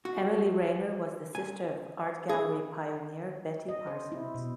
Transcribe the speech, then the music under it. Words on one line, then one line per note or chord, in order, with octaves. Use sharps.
Emily Rayner was the sister of art gallery pioneer Betty Parsons.
F#4
G#5
G#4
D#5
C5
E4
B2